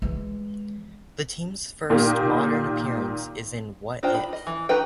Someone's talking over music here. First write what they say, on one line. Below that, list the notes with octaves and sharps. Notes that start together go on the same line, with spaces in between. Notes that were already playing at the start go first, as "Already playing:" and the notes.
The team's first modern appearance is in What If?
E3 G#3
A#2 D#3 A#3 G4
D4 D#4 F4 C5 G5
B5
D#5
E3
D#4 F#4 B4 G5